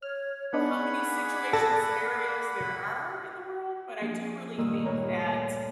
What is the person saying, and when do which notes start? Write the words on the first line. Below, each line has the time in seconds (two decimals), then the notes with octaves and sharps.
how many situation, scenarios, there are in the world, but I do really think that,
0.02 C#5 F6
0.53 B3 D4 D#4 G#4 D5 F5 F#5 B5
1.53 A4 E6 A6 A#6
4.01 F3 A#3 D4 G#4
4.58 G2 A#2 D#3 A#3 D#6 E6
4.85 D2 A#2 A#3 B4 C#5 A#5